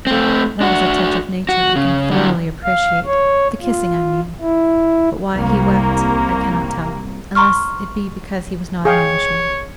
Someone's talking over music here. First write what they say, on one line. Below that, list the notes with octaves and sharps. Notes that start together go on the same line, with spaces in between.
That is a touch of nature I can thoroughly appreciate--the kissing, I mean; but why he wept I cannot tell, unless it be because he was not an Englishman.
A3 C4
D4 F#4
F#4
C#3
D3 F#3
F5
C#5
F4
E4
C2 A#3
A#5 C6 C#6 F6
G#4 C#5 F5 G5